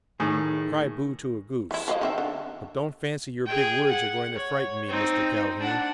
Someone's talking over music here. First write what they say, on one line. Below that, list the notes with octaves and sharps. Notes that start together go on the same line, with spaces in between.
Cry boo to a goose; but don't fancy your big words are going to frighten me, Mr Calhoun!
A2 D#3 G#4
E3 E4
F3 B4 D#5
D#3 C4 E5
D3
G#4 G5
F#5
C#5
C4 D#4
D4 F#5